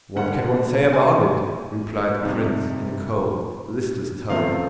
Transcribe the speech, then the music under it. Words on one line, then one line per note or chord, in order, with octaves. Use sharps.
"What can one say about it?" replied the prince in a cold, listless tone.
D#2 D3 G3 A#3 F#5
G#5
F2 C3 D#3 G3
E2 C#3 F3 A3 C4 F5